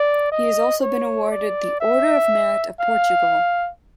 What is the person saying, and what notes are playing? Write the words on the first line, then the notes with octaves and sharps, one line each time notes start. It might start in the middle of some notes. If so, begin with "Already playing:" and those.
He has also been awarded the Order of Merit of Portugal.
Already playing: D5
D#5
C#5
D5
E5
F5